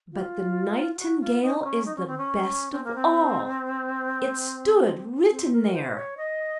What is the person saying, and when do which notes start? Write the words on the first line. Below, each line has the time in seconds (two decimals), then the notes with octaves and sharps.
"But the Nightingale is the best of all!"--it stood written there.
0.12 F4
0.95 F4
0.99 F#4
1.21 F4
1.42 D#4
1.59 C4
1.64 C#4
1.85 D#4
1.96 C#4
2.07 C4
2.18 C#4
2.72 C4
2.84 A#3
2.95 C4
5.31 C4
5.53 A#4
5.74 C5
5.95 C#5
6.17 D#5